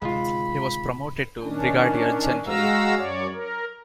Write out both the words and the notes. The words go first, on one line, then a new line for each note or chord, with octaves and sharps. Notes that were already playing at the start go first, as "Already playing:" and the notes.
He was promoted to brigadier general.
D1 C3 D#3 G#3 F4 B5
D#3 C#4 D4
G#3 F#4 F5 A#5 E6
F#2 C#5 D5
A#4